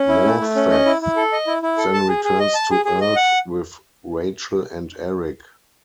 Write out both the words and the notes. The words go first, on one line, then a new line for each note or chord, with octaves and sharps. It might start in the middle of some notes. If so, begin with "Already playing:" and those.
Morpeth then returns to Earth with Rachel and Eric.
Already playing: C#4
E4
A3
A3
C#4
D#5
E4
E4
A4
D#5
E4
E4
A4
A5
G#4
G#4
D#5
A5
G#4
G#4
D#5
F#5